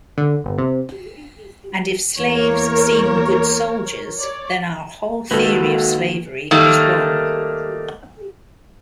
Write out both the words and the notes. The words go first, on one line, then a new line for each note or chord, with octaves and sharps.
And if slaves seem good soldiers, then our whole theory of slavery is wrong.
D3
G1
C3
E2 A#3 A#4 C#5
C#5 D5
C#2 D#3 A#3 F#4 A4 B4 F5
D#3 G3 A3 A#3